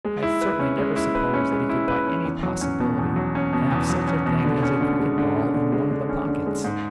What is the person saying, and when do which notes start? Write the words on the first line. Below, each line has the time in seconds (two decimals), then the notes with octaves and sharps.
I had certainly never supposed that he could by any possibility have such a thing as a cricket-ball in one of the pockets.
0.05 G#3
0.23 E4
0.41 B4
0.59 C#4
0.78 G#3
0.96 E4
1.15 B4
1.34 C#4
1.52 G#3
1.69 E4
1.88 B4
2.06 C#4
2.25 E2
2.43 F#3
2.61 C#4
2.80 B2
2.98 E2
3.16 F#3
3.35 C#4
3.53 B2
3.71 E2
3.90 F#3
4.08 C#4
4.26 B2
4.45 D3
4.63 C#4
4.81 D3
4.99 G#3
5.18 D3
5.36 C#4
5.54 D3
5.72 G#3
5.91 D3
6.09 C#4
6.28 D3
6.46 G#3
6.64 G#2